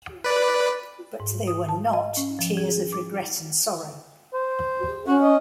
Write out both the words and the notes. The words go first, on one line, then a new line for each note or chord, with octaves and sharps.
But they were not tears of regret and sorrow.
B4 D5
G#2
D#6
A5
D#5
C#4
F3
G#4
D6
C5
C#4 F#4
D#5